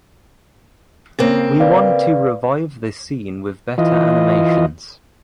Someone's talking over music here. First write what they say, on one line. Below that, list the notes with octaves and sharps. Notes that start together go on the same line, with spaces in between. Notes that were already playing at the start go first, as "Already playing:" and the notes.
We want to revive the scene with better animations.
C#3 A#3 C4
B4 D5 F5
E3 F4 D#5